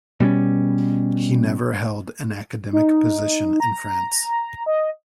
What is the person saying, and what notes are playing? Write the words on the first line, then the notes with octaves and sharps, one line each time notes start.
He never held an academic position in France.
B2 G3 A#3 C#4
D#4
A#5
D#5